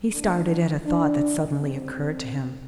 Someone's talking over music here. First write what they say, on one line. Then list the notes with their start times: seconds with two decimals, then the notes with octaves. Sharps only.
He started at a thought that suddenly occurred to him.
0.12 F2 C3 E3 D4
0.86 D4
1.58 E2 D3 G3 C4